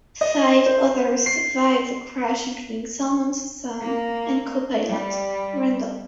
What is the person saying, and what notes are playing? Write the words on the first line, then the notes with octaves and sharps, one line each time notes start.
Five others survived the crash including Salmon's son and copilot, Randall.
D#5
C5
C7
A#3
G3